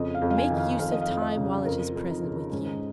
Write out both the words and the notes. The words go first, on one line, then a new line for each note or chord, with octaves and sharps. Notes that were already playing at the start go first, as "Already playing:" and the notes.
Make use of time while it is present with you.
Already playing: F2 C#3 D#5
F5
F2
F5
G#5
D#3
F5
F2 F5
D#5
F5
F2
D#5
C#3
G#4
F2 A#4
F4
F2
D#4
C#3
G#2 C#4
D#4